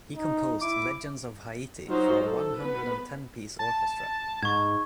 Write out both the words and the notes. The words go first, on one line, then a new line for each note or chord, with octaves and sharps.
He composed "Legends of Haiti" for a one hundred and ten piece orchestra.
D#4
E4 D6
F#3 D#4 F4 F#4 C5
A4
B3 B4
A5
G#2 C#6 G#6